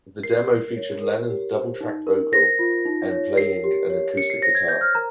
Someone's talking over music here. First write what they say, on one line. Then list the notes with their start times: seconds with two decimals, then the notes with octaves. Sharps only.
The demo featured Lennon's double-tracked vocal and playing an acoustic guitar.
0.23 A#4 C7
0.50 A#4
0.76 C#5
1.02 A#4
1.29 G4
1.54 C5
1.81 D#4
2.07 A#4
2.33 C5 A#6
2.59 F4
2.85 D#4
3.11 C#5
3.37 A#4 C7
3.64 G4
3.90 C#5
4.16 C#5 C#7
4.30 C7
4.42 C5 A#6
4.55 G#6
4.68 C5 G6
4.81 F6
4.95 A#4 A#5